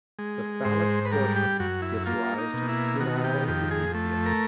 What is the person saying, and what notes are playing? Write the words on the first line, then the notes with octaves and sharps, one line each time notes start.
The phallic portion gives rise to the penile urethra.
G#3
G#2 C5
B4
G3 A#4
G4
F#2 F#4
E4
A#3 F4
D#4
B2
E4
D#3 F#4
G4
F2 G4
G#4
A3
A#4